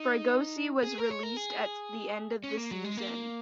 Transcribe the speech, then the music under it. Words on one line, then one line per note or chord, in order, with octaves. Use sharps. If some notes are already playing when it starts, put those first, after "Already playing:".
Fregosi was released at the end of the season.
Already playing: D#4
G#4
A#4
C#5
A#4
G#4
C#4
A#3
F#3
G#3
A#3